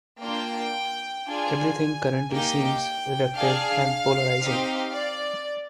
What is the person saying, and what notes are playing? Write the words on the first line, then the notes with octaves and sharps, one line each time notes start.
Everything currently seems reductive and polarising.
A#3 D4 F4 G5
D4 F4 G#4 G#5
A#3 D#4 G4 G5
D4 G#4 F5
C4 D#4 G4
D5